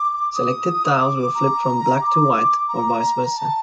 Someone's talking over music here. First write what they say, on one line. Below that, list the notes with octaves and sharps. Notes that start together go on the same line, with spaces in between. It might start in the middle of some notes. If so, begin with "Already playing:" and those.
Selected tiles will flip from black to white or vice versa.
Already playing: D6
D#6
D#6
D6
A#5
D6
A#5
A5